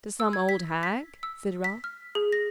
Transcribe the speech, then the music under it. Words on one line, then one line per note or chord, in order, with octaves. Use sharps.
'To some old hag?' said Ralph.
E6
G#6
B6
B6
E6
B6
F6
G#4
A#6